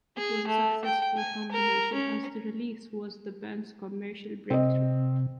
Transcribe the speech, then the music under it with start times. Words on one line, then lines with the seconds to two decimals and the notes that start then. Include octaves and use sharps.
It was a successful combination as the release was the band's commercial breakthrough.
0.17 G#4
0.48 A3
0.85 G5
1.17 G#5
1.52 A#4
1.94 C#4
4.50 C3 C4 D#5